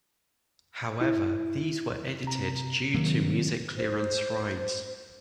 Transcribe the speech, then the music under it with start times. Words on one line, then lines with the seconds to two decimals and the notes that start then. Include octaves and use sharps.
However, these were edited due to music clearance rights.
1.01 E4
2.24 C3 A#5
2.94 C3 D#3 F#3 A#3
3.77 C5